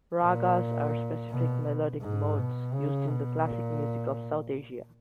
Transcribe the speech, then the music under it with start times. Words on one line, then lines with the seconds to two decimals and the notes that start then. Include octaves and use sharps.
Ragas are specific melodic modes used in the classical music of South Asia.
0.23 A#2
1.31 B2
2.02 G#2
2.38 B2
2.74 C#3
3.09 B2
3.45 A#2